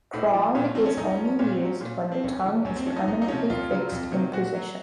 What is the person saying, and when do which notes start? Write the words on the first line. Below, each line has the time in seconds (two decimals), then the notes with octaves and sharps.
Prong is only used when the tongue is permanently fixed in position.
0.13 A2
0.34 F3
0.55 A#2 C#4
0.75 F3 C4
0.86 C#4
0.97 F#2 D#4
1.11 C#4
1.18 F3
1.25 C#4
1.39 A#2 C#4
1.52 C4
1.61 F#3 C#4
1.81 A#2
2.02 F3
2.12 C4
2.24 F2 C#4
2.44 C#3 F3
2.65 F#2 C#4
2.76 C4
2.86 F3 C#4
2.96 D#4
3.07 F2 D#4
3.22 D#4
3.28 C3 F3 C#4
3.50 F2 F4
3.71 C#3 F#3
3.92 F2
4.12 C3 D#3 F#3
4.33 A#2 F#4
4.55 F#3